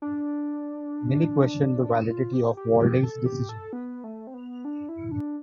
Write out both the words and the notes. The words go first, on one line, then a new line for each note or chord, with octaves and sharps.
Many questioned the validity of Walding's decision.
D4
F4
G4
G4
G4
A4
G4
A4
B3
A3
C4
B3
D4
E4
D4